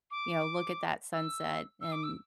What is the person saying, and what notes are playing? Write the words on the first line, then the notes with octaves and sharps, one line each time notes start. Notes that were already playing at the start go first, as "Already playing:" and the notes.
you know, look at that sunset and
D6
E6
E6
D6
E6